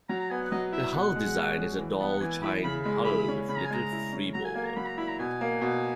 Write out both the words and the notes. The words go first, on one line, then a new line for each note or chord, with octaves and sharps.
The hull design is a dual chine hull, with little freeboard.
F#3 A#5
A#5
B3 G#5
F#5
F#3 D#5
E4 E5
B2 F#5
G#3
F#4
C#4
E3
B3
F#5
E3 G#5
E4 B5
C#3 B5
G#3 B5
E4 B5
C#4
C#3 B5
A#5
G#5
G#3 A#5
E4
C#4
F#3 A#5
G#5
A#3 G#5
A#5
F#3 B5
A#5
E4 B5
A#5
B2 G#5
A#3
B2